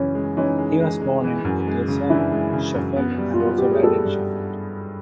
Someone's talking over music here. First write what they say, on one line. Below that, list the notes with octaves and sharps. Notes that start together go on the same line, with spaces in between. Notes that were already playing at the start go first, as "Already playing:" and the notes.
He was born in Ecclesall, Sheffield, and also died in Sheffield.
Already playing: F#2 C#3 E3 C#4
G#3
E3 C#4 D#4
G#3
G#3
G#3
E3
F#2
G#3
C#3
E3 D4 E4
G#3
C#3
F#2
B3
G3
F4
B3 F#4
G3 G4
G#4
G3 G4 A4
G2